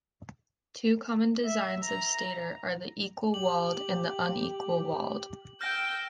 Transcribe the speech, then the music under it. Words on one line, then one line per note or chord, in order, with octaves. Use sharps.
Two common designs of stator are the "equal-walled" and the "unequal-walled".
E5
A#5
G4 F#7
G5 E6 F6 G6 A#6